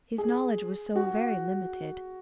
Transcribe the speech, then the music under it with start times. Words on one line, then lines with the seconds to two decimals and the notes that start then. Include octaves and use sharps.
His knowledge was so very limited.
0.18 G#4
0.96 F#4